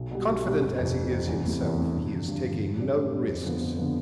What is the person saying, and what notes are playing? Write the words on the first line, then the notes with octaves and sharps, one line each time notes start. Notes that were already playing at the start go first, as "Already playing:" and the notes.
Confident as he is himself, he is taking no risks.
Already playing: B1
B2 G3
B1
B2 G3
G1
F2 C3
G1
F2 C3
E2
C3 E3 A3 C4
E2
C3 E3 A3 C4
G2
D3 F3
G2
D3 F3
A2
G3 D4
A2
G3 D4
F2
D3 F3 B3
F2
D3 F3 B3